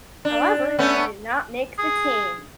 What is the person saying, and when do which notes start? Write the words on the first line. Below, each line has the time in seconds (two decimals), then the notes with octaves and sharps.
However, he did not make the team.
0.25 D4
0.79 A3 B3 C#4
1.78 G#4